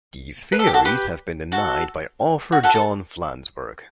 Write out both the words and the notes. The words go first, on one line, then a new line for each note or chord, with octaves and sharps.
These theories have been denied by author John Flansburgh.
B4
A4
G4
F#4 A4
G4 B4
F#4 A4
F#4
F#4 A4
A4